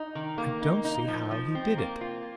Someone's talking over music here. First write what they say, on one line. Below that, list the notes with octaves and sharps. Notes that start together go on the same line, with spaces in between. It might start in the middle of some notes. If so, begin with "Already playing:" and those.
"I don't see how he did it."
Already playing: D#4
D#3
A#3
D#4
D#4
F3
F3
C4
A#3
F4